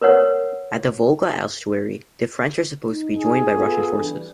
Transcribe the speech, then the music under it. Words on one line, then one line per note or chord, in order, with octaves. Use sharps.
At the Volga estuary, the French were supposed to be joined by Russian forces.
A#4 B4 C#5 F#5
D#4
G#4
B3 F4 A4
E3 G3 D4